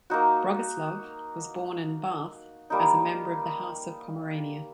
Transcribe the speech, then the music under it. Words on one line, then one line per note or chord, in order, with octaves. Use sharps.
Bogislaw was born in Barth as a member of the House of Pomerania.
A#3 D#4 F#4
G3 A#3 D#4